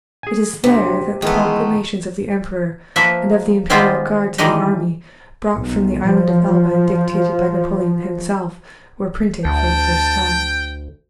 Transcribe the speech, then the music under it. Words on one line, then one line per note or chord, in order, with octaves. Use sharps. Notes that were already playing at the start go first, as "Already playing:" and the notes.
It is there that the proclamations of the Emperor and of the Imperial Guard to the army, brought from the Island of Elba and dictated by Napoleon himself, were printed for the first time.
G#4 G#5
D2 C3 F#4
D#3 E3 G#3 A3 B3 D#4
F3 A#3 B4 E5
D#3 G3 G#3 B3 C4 F4
D#3 E3 G3 G#3 D#4
B1
F3
D2 G5 A5